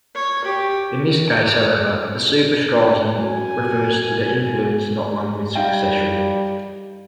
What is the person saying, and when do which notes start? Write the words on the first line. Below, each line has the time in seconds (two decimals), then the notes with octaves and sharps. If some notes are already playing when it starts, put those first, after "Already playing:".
In this case, however, the superstratum refers to influence, not language succession.
0.14 C#5
0.44 G4
3.20 F#2 G#5
5.55 G3 D#4 F5 G5